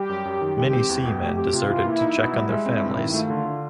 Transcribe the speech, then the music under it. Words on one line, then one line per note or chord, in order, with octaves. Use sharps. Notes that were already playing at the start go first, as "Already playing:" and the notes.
Many seamen deserted to check on their families.
Already playing: G3 G4
F#2
F#2
D#3
G#3 G4
C4
E2
B2
A3 G4
C4 G4
C3 F4
E3 F4
A#3 E4
D#4
B2
G3
G#3
C4
G2
D#3
A3 F4
D3
D3